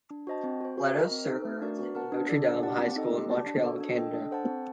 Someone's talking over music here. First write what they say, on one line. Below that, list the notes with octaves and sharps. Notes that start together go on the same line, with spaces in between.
Ladouceur attended Notre Dame High School in Montreal, Canada.
D4
F#4 C5 D#5 A5
C4
F#4 C5
F#4
A#4 D#5
C4
D#4 A4
A3
D4 F#4 A#4 D5
F#4
A#4 F#5 A5
D4
A4 D5
D4
G4 D5 F#5 A5
C4
D#4 A4 D#5
G4
D5 A5
D4
F#4 A4
D4
A4 D#5 G5
D4
A4 C5 F#5 A5
C4